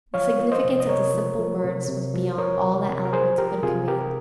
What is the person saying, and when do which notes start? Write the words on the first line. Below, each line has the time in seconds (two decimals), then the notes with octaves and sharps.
The significance of the simple words was beyond all that eloquence could have conveyed.
0.14 F3 C#5 F5
0.39 F3
0.52 C5 D#5
0.64 C3
0.80 D#5
0.89 C3 A#4 C#5
1.14 F3
1.39 F3
1.64 C3
1.89 C3
2.14 F3
2.38 F3 A#4 C#5
2.63 C3
2.88 C3
3.05 A#4
3.13 F3 G#4 C5
3.38 F3 G4 A#4
3.63 C3 F4 G#4
3.88 C3 G4 A#4